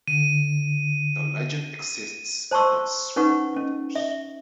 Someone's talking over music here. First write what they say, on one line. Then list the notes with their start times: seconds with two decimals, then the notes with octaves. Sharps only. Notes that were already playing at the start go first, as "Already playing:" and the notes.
The legend exists, and that's what matters.
0.08 D3 D#7
2.51 C5 A5 C6 C#6 E6
3.16 C#4 D#4 B4 F#5 C#6
3.56 C#4
3.95 E5